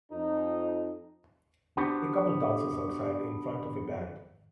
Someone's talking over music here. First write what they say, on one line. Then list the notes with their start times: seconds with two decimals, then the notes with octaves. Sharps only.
A couple dances outside in front of a band.
0.11 F2 D#4
1.77 B3 D4 F#4 G4 C5